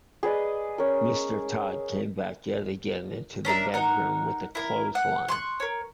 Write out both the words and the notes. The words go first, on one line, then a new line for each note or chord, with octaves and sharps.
Mr Tod came back yet again into the bedroom with a clothes line.
G#4 B4 D5 D#5
C#4 A#4
C#4 D4 A#4 E5
D#4 A#4 F#5
E4 A#4
F#5
C6 C#6 F#6
A#4 C#5